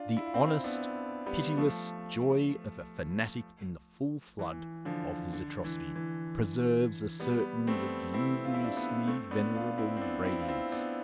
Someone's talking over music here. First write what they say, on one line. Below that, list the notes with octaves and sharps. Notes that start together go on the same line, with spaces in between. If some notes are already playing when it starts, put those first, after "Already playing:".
The honest, pitiless joy of a fanatic in the full flood of his atrocity preserves a certain lugubriously venerable radiance.
Already playing: D4 F4
E4
F4
C4 E4
B3 D4
G3 B3
F3 A3
E3
D3 F3
D3
E3
E3
G3 B3
A3 C4
C4 E4
F4
E4
D4 F4
B3 D4
A3 C4
B3 D4
D4 F4
C4 E4
C4
B3 D4
C4 E4
F4
C4 E4
B3 D4